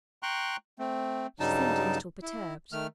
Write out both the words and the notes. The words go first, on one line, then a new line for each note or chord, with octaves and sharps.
She seemed a little perturbed.
G5 A#5 C6 C#6 F#6
A3 C4
G2 C#3 F#3 G3 D#4 A5
E4
D#3 A3 F6